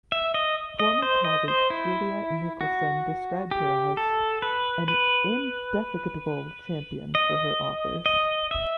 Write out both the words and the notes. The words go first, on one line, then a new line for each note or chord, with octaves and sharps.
Former colleague Juliet Nicolson described her as "an indefatigable champion for her authors".
E5
D#5
D#5
C5
D#5
C5
E4
F#4
G4
A4
B4
B4
D#5
D#5
E5